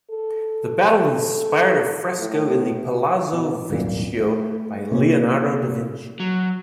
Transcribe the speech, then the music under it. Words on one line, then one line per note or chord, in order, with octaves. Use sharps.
The battle inspired a fresco in the Palazzo Vecchio by Leonardo da Vinci.
A4
A2
B2
D#1 G#1 F#2 A#2
A3
C3 A#3 C#4
F#3